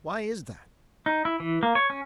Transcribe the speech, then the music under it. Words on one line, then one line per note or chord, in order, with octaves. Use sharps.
Why is that?
D#4
E4
E3
A#3
C#5
C#4